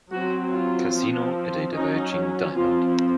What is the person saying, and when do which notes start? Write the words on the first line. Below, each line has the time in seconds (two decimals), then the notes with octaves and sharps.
Casino at a diverging diamond.
0.11 F#3 C4 F#4
0.52 F4
0.93 F3 C4
1.74 F#3 C#4 D#4
2.55 F3 C4 F4